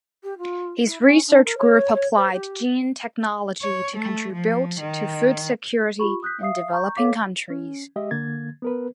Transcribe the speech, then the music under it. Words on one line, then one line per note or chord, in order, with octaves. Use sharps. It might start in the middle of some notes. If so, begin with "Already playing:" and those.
His research group applied gene technology to contribute to food security in developing countries.
G4
F4
E4
C#4
D4
A#4
C#5
C#5
C5
G4
C#5
A3
F3
D#3
F4 G4 B5 C#6
D#6 F#6 G6 B6
E5 F5 D#6 C7
A#5 C#6 G6
A4 C#5 F5 D6 B6
C#4
G#3 G4 D#5 E5
D3 A#3 G#6 A6
B3 A#4 B4